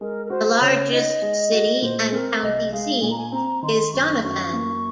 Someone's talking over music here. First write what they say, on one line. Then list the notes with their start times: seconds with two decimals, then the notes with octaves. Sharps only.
The largest city and county seat is Doniphan.
0.01 G#3 A#4
0.26 A#4
0.30 F#4 C5
0.61 C#3 C#5
0.91 D#4 D#5
1.22 G#3
1.52 F#4
1.82 A#2 C5
2.12 C4 A#4
2.43 C2 D#5
2.72 G#3 F5
3.02 A#2 G#5
3.10 A#5
3.17 G#5
3.32 C4 A#5
3.63 D#3 C6
3.93 F#2 C#6
4.24 F#2 C#6
4.53 A#3